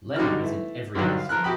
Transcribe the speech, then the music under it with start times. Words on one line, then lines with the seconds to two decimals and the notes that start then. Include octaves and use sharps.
Lennie was in every episode.
0.16 D3 G3 D#4 F#4 C#6 F6
0.41 E3 A3
0.95 G2 D3 D#3 F#3 G3
1.17 F5
1.29 F3 A#4 F6 F#6
1.43 F#4 G4 G5 B5 D#6